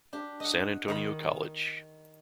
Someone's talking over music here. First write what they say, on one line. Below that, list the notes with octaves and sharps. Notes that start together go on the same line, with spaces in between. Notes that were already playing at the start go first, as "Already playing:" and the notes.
San Antonio College.
D4 G4
D#5 F#5
D#3 A#5 B5